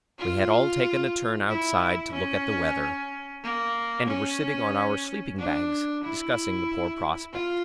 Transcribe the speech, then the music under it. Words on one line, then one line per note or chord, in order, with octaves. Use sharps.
We had all taken a turn outside to look at the weather, and were sitting on our sleeping-bags discussing the poor prospect.
F4
E4
C#4
A#3
C#4
D4
E4
F4